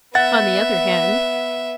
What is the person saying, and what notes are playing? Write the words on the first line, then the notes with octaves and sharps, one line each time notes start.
On the other hand.
B3 E5 F#5 A6